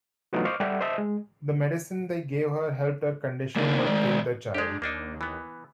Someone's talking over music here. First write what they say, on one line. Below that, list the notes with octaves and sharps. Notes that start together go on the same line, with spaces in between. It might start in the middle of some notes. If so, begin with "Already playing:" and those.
The medicine they gave her helped her condition but killed the child.
E3 F#3 A3 B3 D#4 F4
C5 D#5 F5 C#6 D6 F6
G3 G4 A4 E5 F#5
C5 D#5 E5 A5
G#3
D#3 A#3 D4 D#4 A#4
D#3 G#3 D5
G#3 D4 G4
D#2 A#3 D4 D#4
E3 B3